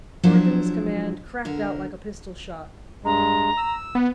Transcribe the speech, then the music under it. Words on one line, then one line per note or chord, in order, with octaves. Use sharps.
Thornton's command cracked out like a pistol-shot.
F3 F#3 D4 E4 G#4
D3 A#4
G2 G#3 A#5
E6
B3